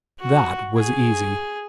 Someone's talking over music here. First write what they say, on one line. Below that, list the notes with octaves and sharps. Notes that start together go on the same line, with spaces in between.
That was easy.
F#4
G#4